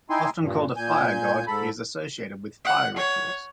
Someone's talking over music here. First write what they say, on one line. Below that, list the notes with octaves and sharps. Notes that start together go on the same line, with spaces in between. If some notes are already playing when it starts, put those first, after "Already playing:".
Often called a fire god, he is associated with fire rituals.
D#4 E4 G5 G#5 C6
G2 A#2
A#2 G#5 G6
G#2 A4 B5
F#5
C#5